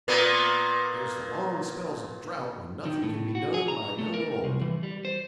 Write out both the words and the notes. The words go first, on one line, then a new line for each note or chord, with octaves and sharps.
There's the long spells of drought when nothing can be done by young or old.
A#2 A#3 B3
D#3
A2
F#4
G#4
A#5
A3
A#4
C2
E3
G3
C5